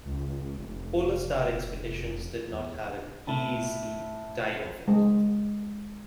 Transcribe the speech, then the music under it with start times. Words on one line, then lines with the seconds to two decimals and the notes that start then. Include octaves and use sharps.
Polar Star Expeditions did not have an easy time of it.
0.05 C#2
0.57 F1
2.51 E2
3.27 A2 A5 B5
4.88 G#3